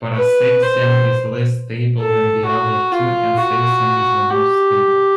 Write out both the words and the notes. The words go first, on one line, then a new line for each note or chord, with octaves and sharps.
Paracelsian is less stable than the other two and celsian is the most stable.
B4
C5
A4
F#4
F4
F#4
G4